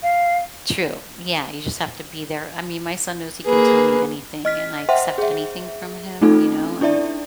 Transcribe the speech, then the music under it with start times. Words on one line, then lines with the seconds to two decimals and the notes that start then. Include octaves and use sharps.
True, yeah, you just have to be there, I mean, my son knows he can tell me anything, and I accept anything from him you know, I'm
0.03 F5
3.46 A#3 G#4 B4
4.45 D#5 F6 B6
4.89 C5 E5 F#5 G5 C6
5.18 G#4 E5
6.21 A3 C4 C#4 D#4 F4 A4
6.81 D4 E4 D5 E5